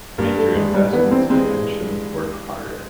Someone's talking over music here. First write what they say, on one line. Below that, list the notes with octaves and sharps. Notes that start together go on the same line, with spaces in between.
Make your investments and pension work harder.
G2 A#3
A3
G2 G#3
G3
E3 B3
C4
G#3 C4